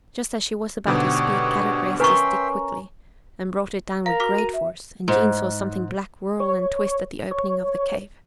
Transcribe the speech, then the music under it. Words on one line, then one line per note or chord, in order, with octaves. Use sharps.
Just as she was about to speak, Kadok raised his stick quickly and brought it down with great force and Jean saw something black whirl and twist at the opening of the cave.
G#2 B2 D3 F#4 G4 C#5
C#4 A#4 B4 E5 G5 C6 C#6
A#4 F5 A#5
F#4 D6 F6 B6
D#7
E5
G#2
C#5
C#5